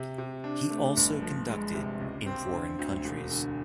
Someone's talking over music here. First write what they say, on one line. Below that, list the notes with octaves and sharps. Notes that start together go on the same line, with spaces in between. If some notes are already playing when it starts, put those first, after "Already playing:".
He also conducted in foreign countries.
Already playing: C3
C3
D4
A3
G1
F3
G#3
C3
C#2
C4
D3
D2
E1
D3